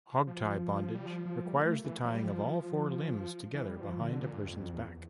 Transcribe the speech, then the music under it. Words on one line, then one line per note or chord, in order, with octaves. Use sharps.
Hogtie bondage requires the tying of all four limbs together behind a person's back.
F3
G3
F3
F3
G3
A#3
A3
E3
F3
G3
F3
E3
G3
F3
D3
A#2
G2
F2
F2
E2